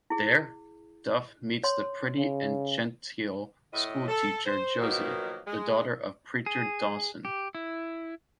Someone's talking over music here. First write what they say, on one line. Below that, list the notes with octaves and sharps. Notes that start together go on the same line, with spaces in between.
There, Duff meets the pretty and genteel schoolteacher Josie, the daughter of Preacher Dawson.
E4 G#4
C#5 C6
C#3
A2 D#5
A4
C5
B2 D#3 F3 F#3 A#3
G#3
G#4
G4
E4